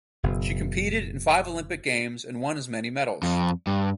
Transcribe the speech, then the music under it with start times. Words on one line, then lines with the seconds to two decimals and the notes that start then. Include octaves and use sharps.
She competed in five Olympic Games and won as many medals.
0.23 F#1 B2
3.23 F2
3.67 G2